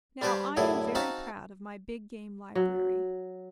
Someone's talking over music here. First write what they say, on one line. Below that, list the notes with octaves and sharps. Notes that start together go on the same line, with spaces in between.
Now, I am very proud of my big-game library.
G3 D4 G4 B4 C5 G#5
F#2 A2 D3 E4 G#4
C4 D#4 F#4 F5 A5 A#5
F#3